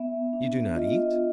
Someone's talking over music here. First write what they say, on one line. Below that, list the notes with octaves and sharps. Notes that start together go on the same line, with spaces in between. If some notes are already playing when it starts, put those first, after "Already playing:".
You do not eat?
Already playing: B3 E5
D4
F4 D#5